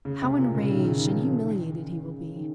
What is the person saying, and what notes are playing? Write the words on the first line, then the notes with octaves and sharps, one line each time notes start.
How enraged and humiliated he will be!
C#3
C3
A#2
C#3
D#3
C#3
D#3
F3
D#3
C#3
C#3
D#3